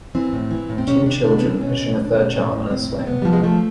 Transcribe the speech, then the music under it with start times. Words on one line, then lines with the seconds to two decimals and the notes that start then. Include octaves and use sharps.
Two children pushing a third child on a swing.
0.15 E3 C4
0.33 A2
0.51 E3
0.69 A2
0.78 C4
0.88 C3 C#4
1.06 C3 D4
1.24 C3 D4
1.38 E3 B3
1.50 C4
1.60 B2 C#4
1.79 B2
1.97 B2 C#4
2.05 D4
2.13 B2 C#4
2.34 A2
2.52 A2
2.70 A2 C4
2.89 A2
2.99 C4
3.07 C3 B3
3.22 F3 G3
3.33 G#3
3.43 F3 A3